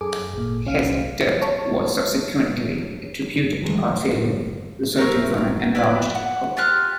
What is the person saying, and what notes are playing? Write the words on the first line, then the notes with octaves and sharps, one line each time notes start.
His death was subsequently attributed to heart failure resulting from an enlarged heart.
F#2 G#4 A4 D6
G#1 A#2
C2 C#4 F5
C#5 A5 C#6
E3 F#3 G#3 A3
C4 A#4 E5 C#6
E4 B4 D5
F#5
F4 G4 F6 F#6